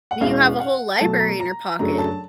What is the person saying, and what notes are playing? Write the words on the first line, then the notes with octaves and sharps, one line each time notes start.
Do you have a whole library in your pocket?
F#5
E2 B2 G#3 C#4 F5
F#5
B2 F#3 A3 A5
A#5
A#5
F#2 C#3 F#3 A3 D4 A#5
A5